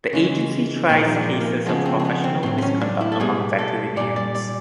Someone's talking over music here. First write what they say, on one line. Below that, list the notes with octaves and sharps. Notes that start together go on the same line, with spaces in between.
The agency tries cases of professional misconduct among veterinarians.
C#3 E3 G#3
A#2 F3 G#3 D#4
D4
A#3
C#3 F3 G#3 B3
C4
C4
B3
C4
A2 F#3 C4
C4
C#4
D4
E4
A4
B2 G3 G#4
A4
A#2 G3 D5
D5
D5